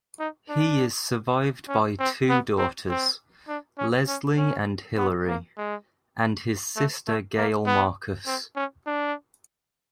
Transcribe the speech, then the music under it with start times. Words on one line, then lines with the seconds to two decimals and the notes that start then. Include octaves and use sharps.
He is survived by two daughters, Leslie and Hillary, and his sister Gail Marcus.
0.19 D#4
0.49 D4
1.68 C#4
1.99 C4
2.29 B3
2.58 C4
2.89 C4
3.48 D4
3.78 C#4
4.08 C#4
4.37 C#4
4.97 B3
5.27 A#3
5.57 G#3
6.76 A3
7.07 A3
7.37 A#3
7.66 B3
8.26 C4
8.56 C#4
8.87 D4